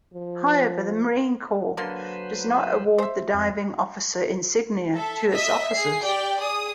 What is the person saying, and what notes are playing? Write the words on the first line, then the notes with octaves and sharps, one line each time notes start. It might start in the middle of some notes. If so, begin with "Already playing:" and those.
However, the Marine Corps does not award the diving officer insignia to its officers.
F3
D3 F#3 A#3 B4 C5 C6
C5 E5
F2 C4
A4 E5
D#5 E5 B6
G#4 C7
G4 D5 G5
G#4 D#6